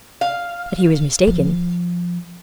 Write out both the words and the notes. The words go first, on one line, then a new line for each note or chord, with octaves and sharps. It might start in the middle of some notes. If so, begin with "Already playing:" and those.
But he was mistaken.
F5
F3